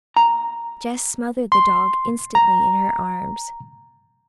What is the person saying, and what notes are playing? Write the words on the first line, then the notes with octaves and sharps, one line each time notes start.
Jess smothered the dog instantly in her arms.
A#5
C6
A#5